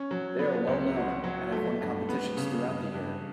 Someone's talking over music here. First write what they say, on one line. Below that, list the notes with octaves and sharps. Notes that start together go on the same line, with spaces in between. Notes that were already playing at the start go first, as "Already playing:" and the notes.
They are well-known and have won competitions throughout the year.
Already playing: C#4
F#3
B3
C#2
F#4
F#3
A3
G2
B3
C#3
G2
G2